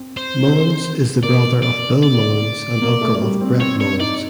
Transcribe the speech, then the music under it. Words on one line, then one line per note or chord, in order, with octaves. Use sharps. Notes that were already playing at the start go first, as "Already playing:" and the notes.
Mullins is the brother of Bill Mullins and uncle of Brett Mullins.
Already playing: C4
C5
C4
A#3 D5
D5
D5
A#3
A3
G3
C4
C4 C#5
D4 C#5
D#4 D5